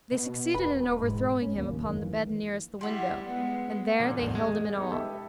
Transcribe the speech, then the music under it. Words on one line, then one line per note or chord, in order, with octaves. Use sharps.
They succeeded in overthrowing him upon the bed nearest the window, and there they held him in awe.
B2
E1 B4
G#2
C#4
D#2 A2 A#3
F#1 D#2
F#2 D#3 A#3
E3
G3 E4 F#5 C6
G#3 B3
A#2 D3 F3
A1 E2 G#2
G#3
B3 D#4 G4
G4 A4 E5